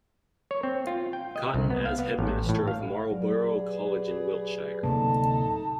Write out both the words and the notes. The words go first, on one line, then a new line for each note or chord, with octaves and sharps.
Cotton as Headmaster of Marlborough College in Wiltshire.
C#5
C4
F4
G5
D#5
C2
B3
F5
B3
A1
A2
F5
F#3 G4 G#4 B4 D5
D1 C3 A3 A#3 D#4 A4 A5